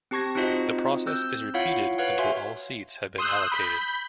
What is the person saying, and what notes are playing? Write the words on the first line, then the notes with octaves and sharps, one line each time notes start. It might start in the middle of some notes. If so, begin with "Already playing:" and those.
The process is repeated until all seats have been allocated.
C4 G4 A5 C#6 G#6 A#6
C4 D#4 F4 F#4 C5 D#5
C4 E6 G6
E4 F4 C#5 F5 F#5
B4 C#5 F5 F#5
F#4 E5 G#5 C6
C6 D#6 E6 F#6 G6
B5 G6 B6